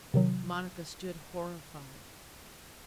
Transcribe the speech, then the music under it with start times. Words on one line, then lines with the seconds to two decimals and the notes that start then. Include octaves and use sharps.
Monica stood horrified.
0.14 C3 D#3 F#3